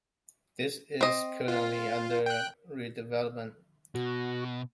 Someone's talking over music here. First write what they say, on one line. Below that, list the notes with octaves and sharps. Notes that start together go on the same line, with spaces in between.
This is currently under redevelopment.
C4 D#5
F4
G5 F#6
B2 F#4